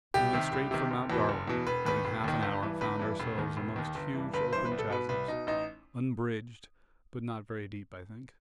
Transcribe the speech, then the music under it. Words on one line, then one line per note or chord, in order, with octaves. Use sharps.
We went straight for Mt. Darwin, but in half an hour found ourselves amongst huge open chasms, unbridged, but not very deep, I think.
C2 G4
C3 D#3
C2
C3 D#3
F#1
E2 B2
F#1
E2 B2
E1 B4
D#2 D#3 B4
E1
D#2 D#3
G1
G2 E3
G1 B4
G2 E3
E1
D#2 D#3
E1
D#2 D#3
G1
G2 E3
G1 B4
G2 E3 C5
B4
C2
A4
B2 B4
C2 B4
B2 D#4
A1 D#4